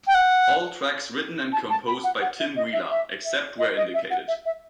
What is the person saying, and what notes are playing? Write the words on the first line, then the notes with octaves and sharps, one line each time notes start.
All tracks written and composed by Tim Wheeler; except where indicated.
G5
F#5
A5
A5
B5
F#5
F#5
E5
D#5
E5
E5
E5
D#5
D#5
E5
F#5
E5
E5